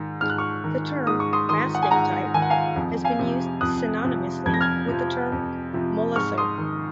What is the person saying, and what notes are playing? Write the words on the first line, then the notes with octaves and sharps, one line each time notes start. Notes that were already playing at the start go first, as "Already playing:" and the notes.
The term "mastiff type" has been used synonymously with the term "molosser".
Already playing: G#2 D#3
G#2 F6
F#6
C#6 F6
D#3
G#2 D#6
C#6
C6 D#6
D#3 C6 D#6
F#5
G#5
G#2 F#5 A#5
D#3 G#5
F#5
F5 G#5
F2
F5 G#5
C3 F3
F2 D#6 F#6
C3 F3
F2 G#6
A#6
F6 G#6
C3 F3
F2
C3 F3
G#2 C#6 F6
C6 D#6
D#3